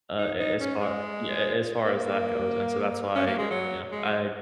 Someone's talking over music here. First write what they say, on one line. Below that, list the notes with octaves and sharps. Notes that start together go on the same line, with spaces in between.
uh, a as far yeah, as far as that goes, and so that's why, you know, I
D#4
D#4
C#4
G#3
A#3
C#4
A#3
G#3
F#3
G#3